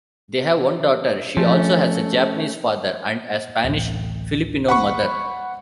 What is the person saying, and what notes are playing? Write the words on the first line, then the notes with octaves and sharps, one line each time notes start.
They have one daughter.She also has a Japanese father and a Spanish-Filipino mother.
F3 A3 C#4
D1 A1
F#5 B5 C#6